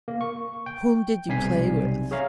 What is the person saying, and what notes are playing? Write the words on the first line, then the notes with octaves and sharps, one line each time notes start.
"Whom did you play with?"
A#3
C#6
G5
B1 C3 G3 G#5 B6 C7
G#4 C#5 E5 F5 A#5